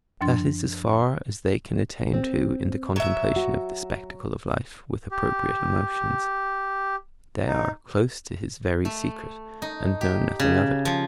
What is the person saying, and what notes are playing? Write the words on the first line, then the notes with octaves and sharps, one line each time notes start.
That is as far as they can attain to in 'the contemplation of the spectacle of life with appropriate emotions.' They are close to his very secret and know nothing of it.
F#2 F3 D4 C6 A6
C4
F#3 E5
F#4
G4
D#4
A3
D#4
G4
C#3
F3